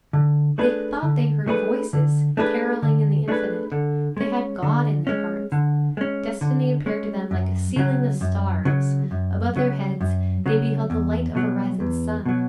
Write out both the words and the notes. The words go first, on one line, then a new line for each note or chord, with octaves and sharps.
They thought they heard voices carolling in the infinite; they had God in their hearts; destiny appeared to them like a ceiling of stars; above their heads they beheld the light of a rising sun.
D3
A3 D4 G#4 B4
D3
A3 D4 G#4 B4
D3
A3 D4 G#4 B4
D3
A3 D4 G#4 B4
D3
G#3 C#4
D3
G#3 C#4
D3
G#3 C#4
D3
G#3 C#4
F#2
C#3 F#3
F#2
C#3 F#3
F#2
C#3 F#3
F#2
C#3 F#3
E2
B2 F#3
E2
B2 F#3